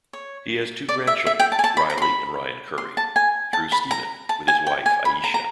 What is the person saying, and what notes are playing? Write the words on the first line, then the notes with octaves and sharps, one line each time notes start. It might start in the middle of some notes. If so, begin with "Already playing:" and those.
He has two grandchildren, Riley and Ryan Curry, through Stephen, with his wife Ayesha.
C#5
D5
E5
E5
G5
A5
G#5
A5
B5
A#5
C6
B5
C6
A5
G#5
A5
B5
A#5
A5
G#5
G5
G#5
B5
A#5
A#5